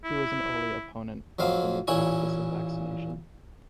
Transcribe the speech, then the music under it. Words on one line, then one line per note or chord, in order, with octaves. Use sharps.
He was an early opponent of the new practice of vaccination.
E4
F2 F#3 C4 F5
A1 A#2 E4 C#5 G#5